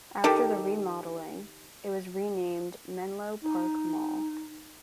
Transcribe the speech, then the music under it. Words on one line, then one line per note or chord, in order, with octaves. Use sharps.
After the remodeling, it was renamed Menlo Park Mall.
D#3 G4 A4
D#4